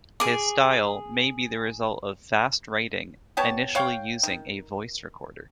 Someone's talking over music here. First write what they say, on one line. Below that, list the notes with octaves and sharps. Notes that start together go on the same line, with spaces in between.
His style may be the result of fast writing initially using a voice recorder.
G#4 D6
B3 G4 C#5 A5
C#5 F5 G5
D#3